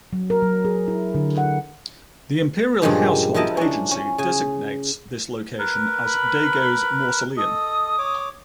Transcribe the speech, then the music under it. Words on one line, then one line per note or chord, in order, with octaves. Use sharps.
The Imperial Household Agency designates this location as Daigo's mausoleum.
F#3
A#4
F#3
G#4
E4
D3
F#5
G2 A#2 C#3 F3 G#3 G4
F3 D#4 E4 A#4 D#5 A5
C#4 D4
C#4
C#3 G#5
A#4 B4
B5
A4 D#5 D#6
C#5 D6